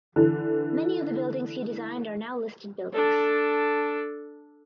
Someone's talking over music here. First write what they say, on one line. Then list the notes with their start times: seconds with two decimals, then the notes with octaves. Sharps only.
Many of the buildings he designed are now listed buildings.
0.16 D3 E3
2.93 D4 A4